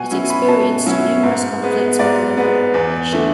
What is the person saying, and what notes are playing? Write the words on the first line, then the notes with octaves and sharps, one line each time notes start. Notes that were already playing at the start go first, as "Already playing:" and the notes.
It experienced numerous conflicts with the local population.
Already playing: B2 F#5 G#5
F#3 C#4 E4
B5
B2 A5
F#3 C#4 E4
G#2
G#3 B3
G#2 D5
G#3 B3
E2
D3 A3